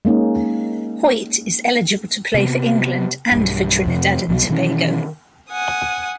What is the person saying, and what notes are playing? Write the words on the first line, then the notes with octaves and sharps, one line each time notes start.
Hoyte is eligible to play for England and for Trinidad and Tobago.
G#3 A#3 C#4 D#4
C3 B3
B1 G2
F2 C3
C2 B2 F#3
B2 D#3 E3 C#4
F#5 G#5 D#6